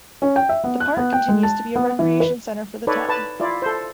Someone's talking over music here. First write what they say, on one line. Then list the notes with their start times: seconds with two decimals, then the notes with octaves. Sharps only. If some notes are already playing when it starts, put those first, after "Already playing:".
The park continues to be a recreation center for the town.
0.22 C#4
0.36 G5
0.49 E5
0.64 B3
0.80 F#6
0.97 B3
1.13 G5
1.28 G#3
1.43 A5
1.76 B3
1.99 E3
2.20 B4
2.87 D#4 A4 B4 C#5 D5
3.09 B4 A5
3.40 E4 F4 D5
3.62 A4 C5